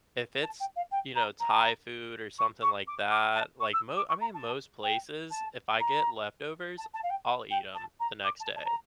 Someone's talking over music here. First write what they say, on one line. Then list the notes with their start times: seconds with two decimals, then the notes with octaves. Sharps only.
if it's, you know, Thai food or something like that, like, mo I mean, most places, if I get leftovers, I'll eat 'em the next day.
0.43 A5
0.60 G5
0.76 F5
0.91 G5
1.15 A#5
1.40 A#5
2.38 C#6
2.62 C#6
2.87 D6
3.11 D6
3.35 A5
3.60 C#6
3.73 E6
3.96 D6
4.08 C#6
4.21 A#5
4.34 A5
4.83 G5
5.31 A5
5.80 A#5
6.78 A5
6.94 A5
7.03 F5
7.10 G5
7.50 G5
7.75 A5
8.00 A#5
8.24 D6
8.40 A5
8.56 A5
8.66 A#5